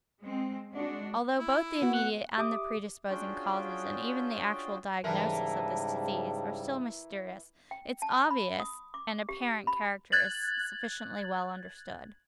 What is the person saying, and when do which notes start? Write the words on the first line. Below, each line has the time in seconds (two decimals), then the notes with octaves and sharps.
Although both the immediate and the predisposing causes, and even the actual diagnosis, of this disease are still mysterious, its obvious and apparent character is sufficiently well understood.
0.20 G#3 C4
0.73 G#3 D4 F#4
1.39 E4
1.82 B3 F#4
1.94 F#5
2.38 G4 E5 D6 D#6
3.09 C#4 D4 F4 F#4 G#4 G5
5.04 G#2 C#3 E3 G3 E4 A#4 A5
7.71 G5
8.02 A5
8.31 B5
8.60 D#6
8.94 D6
9.29 G4
9.67 B5
10.12 F#6 G#6 A6 F#7